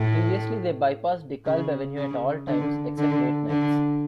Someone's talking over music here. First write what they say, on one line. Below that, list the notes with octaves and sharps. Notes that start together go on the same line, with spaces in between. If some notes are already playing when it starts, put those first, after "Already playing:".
Previously, they bypassed DeKalb Avenue at all times except late nights.
Already playing: A2
C#3
C#3
D3
D3
D3